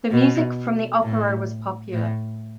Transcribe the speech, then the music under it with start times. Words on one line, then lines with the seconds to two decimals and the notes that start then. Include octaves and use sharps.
The music from the opera was popular.
0.11 B2
1.02 A2
1.92 A2